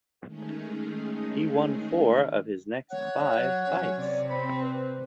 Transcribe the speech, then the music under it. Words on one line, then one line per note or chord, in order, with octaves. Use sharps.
He won four of his next five fights.
D#3 G#3 A3 C#4 D#4 G#4
C#5 F#5
F#3
F#3 C#4
C3 D5
C4 B5
B4